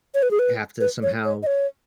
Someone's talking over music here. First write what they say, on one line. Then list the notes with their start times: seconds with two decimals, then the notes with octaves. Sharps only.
have to somehow
0.15 C#5
0.23 B4
0.31 G#4
0.39 B4
0.80 B4
1.03 C#5
1.25 C#5
1.43 D#5
1.47 C#5